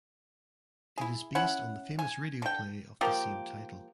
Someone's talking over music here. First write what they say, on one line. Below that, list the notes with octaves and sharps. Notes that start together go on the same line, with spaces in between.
It is based on the famous radio play of the same title.
E4 G#4
C#4 E4 F#5
G#5
D3 G5
F3 A#3 G4